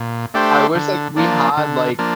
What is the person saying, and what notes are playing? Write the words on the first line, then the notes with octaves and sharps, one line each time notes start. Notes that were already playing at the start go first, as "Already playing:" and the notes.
I wish, like, we had, like
Already playing: A#2
A3 D4 G4 C5
D3
F3 A#3 D4
D3
F3 A#3 D4